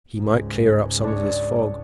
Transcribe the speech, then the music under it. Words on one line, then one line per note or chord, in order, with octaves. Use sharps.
He might clear up some of this fog.
C#2 G#2
D4 C#5